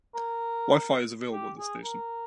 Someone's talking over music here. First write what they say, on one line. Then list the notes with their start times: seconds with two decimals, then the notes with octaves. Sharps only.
Wi-Fi is available at this station.
0.15 A#4
1.33 G4
1.58 G#4
1.83 A#4